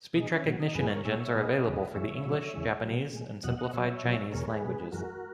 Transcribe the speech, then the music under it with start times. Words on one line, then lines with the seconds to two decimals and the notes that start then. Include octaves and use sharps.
Speech recognition engines are available for the English, Japanese, and Simplified Chinese languages.
0.15 B2 G#3 D#4
0.31 C#4 E4
0.45 A#2 F#3
0.60 D#4
0.75 F#2 C#3 E3 G#3 G#4 B4
0.89 A#4 C#5
1.04 A#2 G#3 C#5 E5
1.19 C#5 E5
1.34 A#2 G#3 B4 D#5
1.64 E2 C#3 G#3
1.94 F#2 E3 G#3 C#5 E5
2.24 B2 F#3
2.54 E2 C#3 E3 G#3
2.83 B2 F#3
3.13 A#2 G#3
3.43 E2 B2 F#3 D#5 F#5
3.58 D#5 F#5
3.73 B2 F#3 C#5 E5
4.03 B2 F#3
4.32 E2 B2 G#3 A#4 C#5
4.48 G#4 B4
4.62 B2 G#3
4.92 F#2 E3 G#3 F#4 A#4